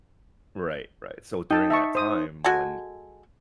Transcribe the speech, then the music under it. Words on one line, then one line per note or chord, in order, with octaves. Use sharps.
Right, right. So, during that time when
D#4 G5 A5
E5 A5 C#6
C5 D#6
G#3 F#4 A4 G#5